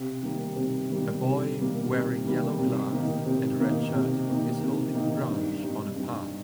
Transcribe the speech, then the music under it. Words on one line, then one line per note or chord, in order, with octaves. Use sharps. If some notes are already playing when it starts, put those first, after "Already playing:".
A boy wearing yellow gloves and a red shirt is holding a branch on a path.
Already playing: C3
D#3 G3 A#3
C3
D#3 G3 A#3
C3
D#3 G3 A#3
C3
D#3 G3 A#3
C3
D#3 A#3 D#4
C3
D#3 A#3 D#4
C3
D#3 A#3 D#4
C3
D#3 A#3 D#4
G2
G3 D#4
G2